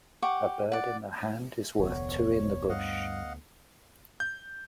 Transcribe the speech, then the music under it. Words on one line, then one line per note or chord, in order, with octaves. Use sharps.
A bird in the hand is worth two in the bush.
G4 F#5 C#6 D6
D5 F#5
F1 D2 D3 B3 C#5
G2 D#5 F5 F#5
G6